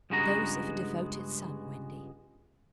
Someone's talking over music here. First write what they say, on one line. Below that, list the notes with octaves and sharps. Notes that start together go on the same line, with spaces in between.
'Those of a devoted son, Wendy.'
C#2 G2 G#3 B3 F#4 A#5